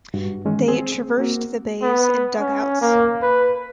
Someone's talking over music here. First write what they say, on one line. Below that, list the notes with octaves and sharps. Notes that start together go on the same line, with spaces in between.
They traversed the bays in dugouts.
G2 F#4
D#3 E3 G#3 C#4
C4 G#4
A#3 C4 F#4 A#4
B3
C#4
A#3
B4